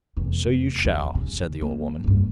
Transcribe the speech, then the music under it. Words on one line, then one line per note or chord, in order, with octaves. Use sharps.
'So you shall,' said the old woman.
F1 E2
D#2
C#3
A#3
F#1 G2